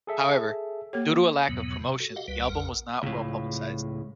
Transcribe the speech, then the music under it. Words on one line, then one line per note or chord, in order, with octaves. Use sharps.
However, due to a lack of promotion, the album was not well-publicized.
G#4 A4 E5
A#3 G4 A4 C#5
E2 G#2 B2 F#3 B3
C3
F#4 A4
G4 D#5 F5 F#5
C#2 G3 B4
A#1 F2 A#4 F#5
C#2 A2